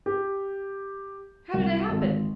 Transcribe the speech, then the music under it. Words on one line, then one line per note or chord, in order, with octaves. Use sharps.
"How did it happen?"
G4
C2
G#1